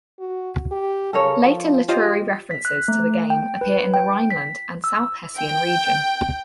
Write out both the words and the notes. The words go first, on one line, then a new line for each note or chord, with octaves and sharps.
Later literary references to the game appear in the Rhineland and South Hessian region.
F#4
G4
C#3 A4 A#4 C#5
F3
F4 G4 C5 D#5
B6
F#6
A3
G5
B4
G5
B6
E6
G5